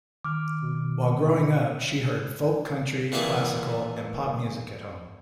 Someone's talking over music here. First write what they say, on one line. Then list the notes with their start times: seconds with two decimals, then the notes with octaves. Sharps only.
While growing up, she heard folk-country, classical, and pop music at home.
0.24 D#3 D6 F6
0.61 B2
3.12 A#2 E3 E4 G#4 G5 A5